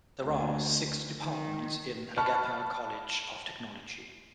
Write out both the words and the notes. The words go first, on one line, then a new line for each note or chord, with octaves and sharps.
There are Six departments in Alagappa College of Technology.
D2
D#3
A5 B5 C#6 F6 F#6